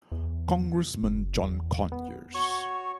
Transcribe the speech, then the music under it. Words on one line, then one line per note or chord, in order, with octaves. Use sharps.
Congressman John Conyers.
E2
F#1
E2
B3
F#4 C#5 C#6